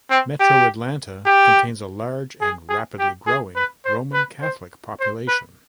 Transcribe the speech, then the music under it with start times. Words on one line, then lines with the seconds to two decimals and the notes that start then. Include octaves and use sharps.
Metro Atlanta contains a large, and rapidly growing, Roman Catholic population.
0.10 C4
0.40 G4
1.26 G4
2.41 G#4
2.69 G#4
2.99 G4
3.27 G#4
3.56 B4
3.85 C5
4.14 B4
4.42 C5
5.00 C5
5.28 B4